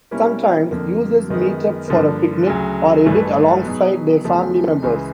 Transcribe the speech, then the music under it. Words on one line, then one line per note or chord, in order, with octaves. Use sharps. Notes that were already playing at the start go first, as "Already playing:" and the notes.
Sometimes, users meet up for a picnic, or edit alongside their family members.
B2 G3 A#3 C#4 E4
F2 D3 F3 A#3
F#2 D#3 G#3 B3
G2 D3 F3 A#3
D2 C#3 F#3
A1 G2 E3 A3
B2 F#3 B3 D#4 G#4
E2 C#3 F3 A3
C#2 C#3 E3